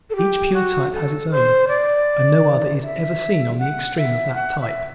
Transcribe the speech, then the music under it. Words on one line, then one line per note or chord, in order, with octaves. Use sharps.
Each pure type has its own and no other is ever seen on the extreme of that type.
A4
G4
F#4
A4
C5
D5
E5
F#5
E5
F#5
E5